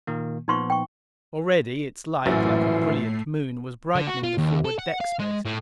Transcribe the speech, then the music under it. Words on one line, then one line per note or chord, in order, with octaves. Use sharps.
Already its light, like a brilliant moon, was brightening the forward deck space.
A#2 D#3 A#3
A#2 F3 B3 D#4 C6 C#6
G5 C#6
A#1 F#2 A2 E3 A3 A6 C7
D3
F#4
F4
D#2
A4
F#5
F5
G#3
A2